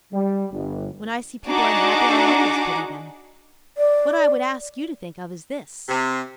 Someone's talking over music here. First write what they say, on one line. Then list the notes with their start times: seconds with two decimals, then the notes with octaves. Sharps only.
When I see people unhappy I always pity them. What I would ask you to think of is this.
0.12 G3
0.52 G1
1.49 D4 D#4 F#4 G#4 F#5 D6
3.78 D5
5.89 C3